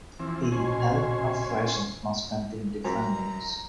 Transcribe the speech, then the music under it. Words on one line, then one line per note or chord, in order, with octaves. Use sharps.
A pallet of rations must contain different menus.
E3 F3 C4
A#1 B2 C#4 C5 G#5
F#2 A#5